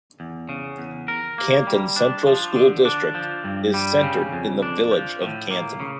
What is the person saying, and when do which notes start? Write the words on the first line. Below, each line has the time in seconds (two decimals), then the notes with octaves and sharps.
Canton Central School District is centered in the village of Canton.
0.20 E2
0.49 C#3
0.78 E2
1.08 A#4
1.38 A#3
1.67 G3
1.96 D4
2.27 F3
2.56 D3
2.85 D4
3.15 F3
3.44 G2
3.74 G3
4.03 C#3
4.32 F2
4.62 D4
4.91 F3
5.22 A2
5.51 A#3
5.80 C#3